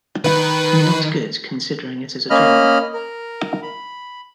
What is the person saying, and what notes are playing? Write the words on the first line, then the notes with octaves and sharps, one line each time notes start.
Not good considering it is a drama.
D#3 B4
A#3 C#4 D#5 B5 F6
A#4
B5